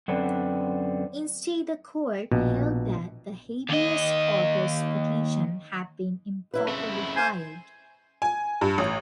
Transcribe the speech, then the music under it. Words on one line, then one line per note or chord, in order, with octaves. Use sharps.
Instead, the Court held that the "habeas corpus" petition had been improperly filed.
F#2 D3 B3 C4 D4
A#1 B2
D#2 D#5
F#3 E4 B4
F2 C#3 E4
C5 G#5
G#5
G2
A1